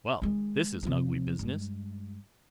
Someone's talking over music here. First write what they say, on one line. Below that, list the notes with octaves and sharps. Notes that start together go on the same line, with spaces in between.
'Well! this is an ugly business!
D#3 G#3
C3 F3
G2 G#3